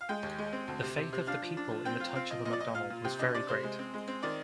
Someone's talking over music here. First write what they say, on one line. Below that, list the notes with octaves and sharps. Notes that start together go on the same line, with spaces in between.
The faith of the people in the touch of a Macdonald was very great.
F5
G#3 G5
D#2
G#3
C4
D2
C3
C3
C3
D4 F5
F3
D4
F3
C4 G5
F4
C4 F5
F3 D#5
A#2 D#5
D5
A#2 D#5
A#2 F5
A#2
C3 G5
D4 D#5
C3 D5
C3 C5
G#3
C4
G#3
C4
D#3 D5